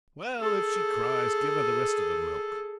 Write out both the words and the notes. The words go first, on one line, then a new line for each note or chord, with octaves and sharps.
"Well, if she cries, give her the rest of the milk."
G#4 A4